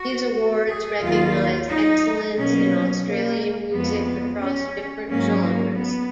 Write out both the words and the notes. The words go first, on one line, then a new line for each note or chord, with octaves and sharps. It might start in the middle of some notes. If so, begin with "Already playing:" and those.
These awards recognise excellence in Australian music across different genres.
Already playing: F#4
G#4
D#2 D#3 F#3 A#3 F4
D#4
B2 F#3 A#3 C#4
A#3
F2 F3 G#3 B3
C#4
G#2 F#3 A#3 C#4
A#3
B3